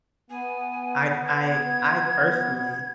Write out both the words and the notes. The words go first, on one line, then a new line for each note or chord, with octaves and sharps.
I ca I I personally,
B3 G#5
G#6